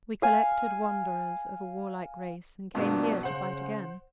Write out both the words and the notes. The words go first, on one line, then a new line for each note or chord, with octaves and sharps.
We collected wanderers of a warlike race and came here to fight again.
F5 G#5
G2 B2 F3 A#3 D4
C#3 C5 F#5